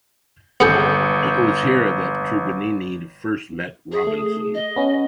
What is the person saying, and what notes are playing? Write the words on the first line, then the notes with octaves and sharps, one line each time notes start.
It was here that Truganini first met Robinson.
G1 B3 G#4 A4 G6 C#7
G#4
A3
D#5
B3 C#4